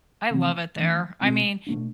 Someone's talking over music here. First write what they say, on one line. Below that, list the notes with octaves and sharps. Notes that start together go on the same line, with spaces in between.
I love it there, I mean
C3 E3 A3 C4
E3 A3 D4
B2 A3 C4
B2 A3 D4